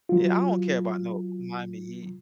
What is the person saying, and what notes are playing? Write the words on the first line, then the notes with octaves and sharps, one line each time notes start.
Yeah, I don't care about no Miami Heat.
F#3 F4